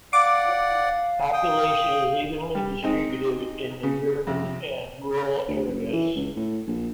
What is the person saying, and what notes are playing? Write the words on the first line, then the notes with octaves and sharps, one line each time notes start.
Population is evenly distributed in the urban and rural areas.
D5 F5 F#5 D6
G5 D#6
G3
G#3 C4 D#4
C#3
F2 C3 C4
D2
F#1
E3
C#2
A2
A#1